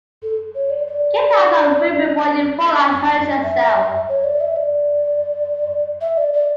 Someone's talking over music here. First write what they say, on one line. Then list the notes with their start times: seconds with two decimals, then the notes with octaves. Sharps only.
Get down off the roof before you fall and hurt yourself.
0.23 A4
0.55 C#5
0.70 D5
0.87 D5
3.43 E5
4.09 C#5
4.24 D5
4.40 E5
4.56 D5
6.01 E5
6.17 D5
6.33 D5